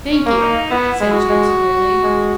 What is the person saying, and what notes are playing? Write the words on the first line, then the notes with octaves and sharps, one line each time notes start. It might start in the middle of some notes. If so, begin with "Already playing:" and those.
"Thank you!" said Jude severely.
C#4
A#3
D#4
B3 E4
G#3
F#4
G#3
G#3